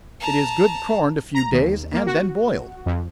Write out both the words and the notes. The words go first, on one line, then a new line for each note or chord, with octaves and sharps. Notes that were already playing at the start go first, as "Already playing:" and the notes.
It is good corned a few days, and then boiled.
A5 A#5
A#5
D#2
A#3
F#4
F2